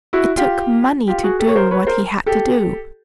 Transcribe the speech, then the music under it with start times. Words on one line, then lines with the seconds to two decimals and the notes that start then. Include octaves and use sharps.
It took money to do what he had to do.
0.13 E4 F#4
0.36 F4 G4
1.08 F4 G4
1.23 F#4 G#4
1.39 G4 A4
1.48 C#5
1.55 A#4 C5
1.71 B4 C#5
1.87 A#4 C5
2.26 G4 A4